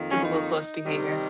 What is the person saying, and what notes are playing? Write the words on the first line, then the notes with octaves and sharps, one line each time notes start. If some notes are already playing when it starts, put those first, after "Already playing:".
Typical close behavior.
Already playing: F2 D#3 A#3
C#4
D#4
C3 D#3 G3